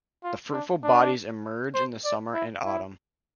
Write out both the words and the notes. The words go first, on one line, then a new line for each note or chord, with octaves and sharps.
The fruitful bodies emerge in the summer and autumn.
F4
D4
D4
C5
D5
E4
E4